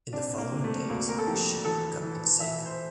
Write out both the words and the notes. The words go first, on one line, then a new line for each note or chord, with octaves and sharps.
In the following days the ship broke up and sank.
C3 D4
A#3
C3
A3
D2 A#3
A#4
A4
F3 G4
E3 A4
E3
E3 E5
C5